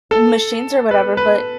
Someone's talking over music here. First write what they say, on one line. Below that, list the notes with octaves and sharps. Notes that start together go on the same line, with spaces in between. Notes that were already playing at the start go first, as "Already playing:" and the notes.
m machines or whatever, but,
A4
B4
B4